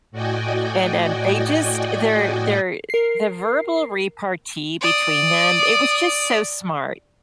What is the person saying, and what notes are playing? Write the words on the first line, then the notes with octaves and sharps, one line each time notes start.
And, um, they just their their the verbal repartee between them, it was just so smart.
A2 F#4 D5 D#5 G5 G#5
A#4 C7
D5 D#6